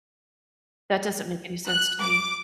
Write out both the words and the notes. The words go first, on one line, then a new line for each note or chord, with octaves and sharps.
That doesn't make any sense to me.
F#6
D6